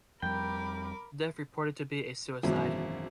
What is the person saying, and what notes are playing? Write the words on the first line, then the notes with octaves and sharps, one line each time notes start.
The death reported to be a suicide.
F2 G3 A#4 G5 B5 D6
G#1 F#2 B2 E3